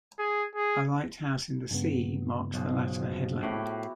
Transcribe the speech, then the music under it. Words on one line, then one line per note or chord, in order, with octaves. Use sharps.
A lighthouse in the sea marks the latter headland.
G#4
G#4
G2 C#3 B3
B1 B2 F3 G#3
A2 E4 F#4 G4